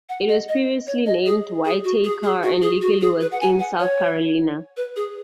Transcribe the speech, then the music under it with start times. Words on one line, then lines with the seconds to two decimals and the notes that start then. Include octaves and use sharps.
It was previously named Whitaker and legally was in South Carolina.
0.09 F#5
0.29 D#5
0.48 D#5
0.87 C#5
1.06 D#5
1.26 G#4
1.65 G#4
1.84 F#4
2.04 G#4
2.23 G#4
2.43 F#4
2.62 G#4
2.82 F#4
3.01 G#4
3.21 B4
3.32 F#5
3.41 G#5
3.59 F#5
3.80 C#5
4.77 B4
4.96 G#4